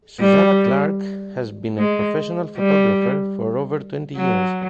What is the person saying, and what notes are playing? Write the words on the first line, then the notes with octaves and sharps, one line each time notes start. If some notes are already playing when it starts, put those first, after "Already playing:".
Suzanna Clarke has been a professional photographer for over twenty years.
G3
G#3
G3
F#3